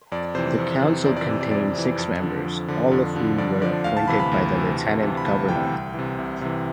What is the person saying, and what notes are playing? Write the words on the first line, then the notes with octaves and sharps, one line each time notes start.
The council contained six members, all of whom were appointed by the Lieutenant-Governor.
F2 D5
C3 E3 C5
F2
C3 E3
F2 D5
D5
C3 E3
D5
F2 D5
C3 E3
F2
D3
F3
F2
D3 F3
F2
D3 F3
F2 D5
D3 F3 D5
D2 F5
A5
C3 E3 B5
B5
D2
C3 E3
D2
C3 E3
B5
D2 A5
C3 E3 G5
C2
C3 E3
C2
C3 E3